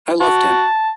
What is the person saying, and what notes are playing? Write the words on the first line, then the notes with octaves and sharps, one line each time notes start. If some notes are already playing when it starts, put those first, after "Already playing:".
I loved him.
F#4 A5